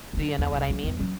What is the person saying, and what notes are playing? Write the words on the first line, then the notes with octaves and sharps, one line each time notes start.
Do you know what I mean?
F#2 D3
E2
F1 C2
E3 F#3
E2 G2
F#3 C#4